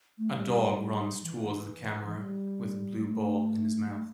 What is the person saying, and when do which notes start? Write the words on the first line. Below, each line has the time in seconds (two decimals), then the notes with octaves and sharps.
A dog runs towards the camera with a blue ball in his mouth.
0.18 A3
0.29 G3
1.23 E3
2.16 G3
2.98 G3
3.09 A3
3.87 G3
3.95 A3